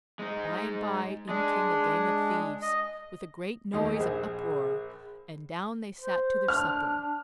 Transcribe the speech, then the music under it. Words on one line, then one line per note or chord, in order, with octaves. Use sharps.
By-and-by in came the gang of thieves with a great noise and uproar, and down they sat to their supper.
G#3 D#4
G#3 D4 G#4
D#5
D#2 D#4 G4 D#5
A#1 G#4 C5 G#5
C5
D4 F6